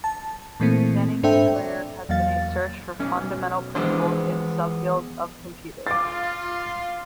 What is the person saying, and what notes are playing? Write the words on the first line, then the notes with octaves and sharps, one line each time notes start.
Denning's career has been a search for fundamental principles in subfields of computing.
A5
A#2 E3 A3 A#3 C4
G#2 D4 A4 C5 E5 G5
D5
E2 F#3 A#3 F5 A6
B1 C#4
E3 F3 G#3 B3 D4 C5
F4 D6 A6